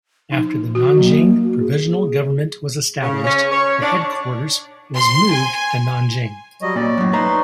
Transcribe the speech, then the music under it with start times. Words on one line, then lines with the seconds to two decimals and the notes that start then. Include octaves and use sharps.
After the Nanjing Provisional Government was established, the headquarters was moved to Nanjing.
0.32 F3 D#4
0.75 E3 F#4
0.97 F#3 A#3
1.44 F#4
1.59 G#4
3.02 C#3
3.24 C#4
3.52 C#5
3.82 D4
4.96 C6
5.33 G#5
6.62 F#3 G3 C#5 D#5
6.76 A#2 D5
6.98 F#2 A2
7.13 D#4 B4 E5 A#5 C6